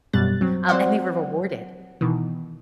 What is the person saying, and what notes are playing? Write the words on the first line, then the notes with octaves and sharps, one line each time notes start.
Um, and they were rewarded
G#1 F#2 B2 G3 F#6 A6
F#3 C4
F#3 C4 C5 D5 F#5
B2 D#3 E3